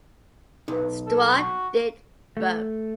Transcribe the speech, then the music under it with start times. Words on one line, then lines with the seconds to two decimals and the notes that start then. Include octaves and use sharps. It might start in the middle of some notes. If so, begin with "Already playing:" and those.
Stroh did both.
0.68 B1 D#4 B4
1.06 A4
1.35 F#4
2.37 A3